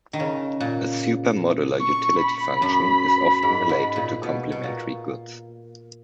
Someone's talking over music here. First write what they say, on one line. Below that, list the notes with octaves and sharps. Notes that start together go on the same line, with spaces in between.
A supermodular utility function is often related to complementary goods.
D#3
C#3
A#2
C#6
B5
F#2
G#2
G#2
A#2
B2
B2
A#2